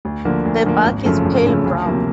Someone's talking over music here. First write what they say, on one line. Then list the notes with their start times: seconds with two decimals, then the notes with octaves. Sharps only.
The bark is pale brown.
0.05 D2
0.25 D3 F3 A#3
0.45 D2
0.65 D3 F3 A#3
0.85 G#1
1.05 F#2 C#3 F3 A3
1.25 G#1
1.45 F#2 C#3 F3 A3
1.66 D2
1.85 C3 F3 A#3